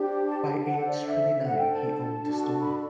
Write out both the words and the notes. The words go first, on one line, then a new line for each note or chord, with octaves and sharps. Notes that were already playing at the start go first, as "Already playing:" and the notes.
By age twenty-nine he owned the store.
Already playing: D4 G4 C5
A5
A5
A5
D4 A4 C5 F#5
D5
E5
D4 A4 C5 F#5
G5
A5
D4 F#4 A4
B5